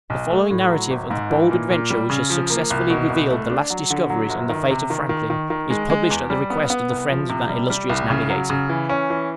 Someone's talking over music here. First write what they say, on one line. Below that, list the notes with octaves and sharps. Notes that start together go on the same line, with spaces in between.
The following narrative of the bold adventure which has successfully revealed the last discoveries and the fate of Franklin, is published at the request of the friends of that illustrious navigator.
B1
A3
A2
F#3
G#1
G#2
E3
A#2
A#2
G3
C#3
F3
A#3
C2
B2
C2
A3
D4
F#3
D3
F#3
G1
D#3
C3
D#3
D#3
D#3
D#3
G#3
G#3
E2
G3
B3
B3
C2
F3
C3
G3
G3
C2
C#3
F#3
C#3
E3
C#4
E3